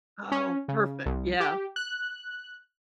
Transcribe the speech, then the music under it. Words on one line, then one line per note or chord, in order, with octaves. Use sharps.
Oh, perfect. Yeah.
C#4
C#3
C2
G4
F#6